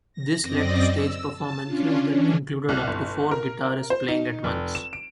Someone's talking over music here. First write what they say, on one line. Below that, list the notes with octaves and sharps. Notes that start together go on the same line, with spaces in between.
This led to stage performances that included up to four guitarists playing at once.
A#6
F#2 C4 D5 D#5 A#6
E6
A5
C#4 D4 F4
E3 C#4 D4
C2
G1
A#4
C5
D#4
F1
E7
D7